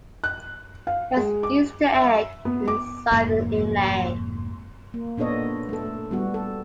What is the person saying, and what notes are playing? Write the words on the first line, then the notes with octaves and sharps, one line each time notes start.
There is an easter egg inside the inlay.
F#6
F5
G#3
D6
E5
B3
D6
F1 F2 G#2 A#3
A#3
A#2 B3 D4 A4 C#5 D#5
A3 A4
G3 B3 F#4
A4